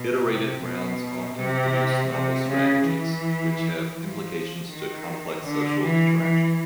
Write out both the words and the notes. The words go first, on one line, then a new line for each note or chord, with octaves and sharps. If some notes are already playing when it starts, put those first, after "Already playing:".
Iterated rounds often produce novel strategies, which have implications to complex social interaction.
Already playing: B2
C3
B2
C3
C3
C#3
E3
F3
D#3
D3
E3
E3